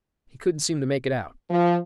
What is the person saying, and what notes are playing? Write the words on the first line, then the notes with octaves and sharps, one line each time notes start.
He couldn't seem to make it out.
F3